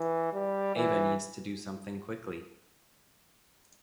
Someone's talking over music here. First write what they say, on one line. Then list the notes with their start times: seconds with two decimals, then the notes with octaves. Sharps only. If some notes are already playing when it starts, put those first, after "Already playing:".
Ava needs to do something quickly.
Already playing: E3
0.33 G3
0.76 E3